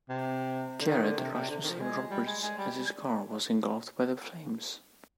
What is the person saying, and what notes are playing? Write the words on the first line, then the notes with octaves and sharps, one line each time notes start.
Jarrett rushed to save Roberts as his car was engulfed by the flames.
C3
D3
D#3
D3
C3
C3
D3
D#3
F3
G#3
G3
G#3
G#3
G3